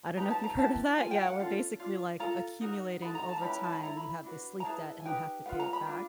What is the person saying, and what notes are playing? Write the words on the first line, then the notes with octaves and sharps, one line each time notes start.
I don't know if you've heard of that? Yeah, where basically, like, accumulating over time, you have this sleep debt and you have to pay it back.
D#4 G4 B4 A#5
A5
A#5
E4 G4 B4 A5
F4 A#4 G#5
G5
F#5
C#4 F4 A4
D4 F4
F4 A4 A#5
D#4 F#4 A#4
D#4 F#4 A4 B5
A#5
A5
A#5
C#4 E4 G4 B4 B5
A#5
A5
B5
E4 A4 A#5
B5
D4 F#4 B4
A#5
E4 G#4 B4 A5
G#5
D#4 G4 B4 G5
F4 G#4 B4 F#5
A#5
B5
D4 F4